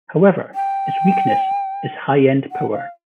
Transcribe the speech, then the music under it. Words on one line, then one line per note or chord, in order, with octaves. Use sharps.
However, its weakness is high-end power.
G5
F#5
F5